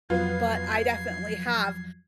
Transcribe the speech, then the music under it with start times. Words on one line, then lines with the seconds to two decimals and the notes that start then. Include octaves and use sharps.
but I definitely have.
0.10 F2 F3 F#3 B3 F4 G#6 C7